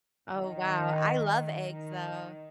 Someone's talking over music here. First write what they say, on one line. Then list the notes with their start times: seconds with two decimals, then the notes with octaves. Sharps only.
Oh, wow, I love eggs, though.
0.35 D#3
1.64 D#3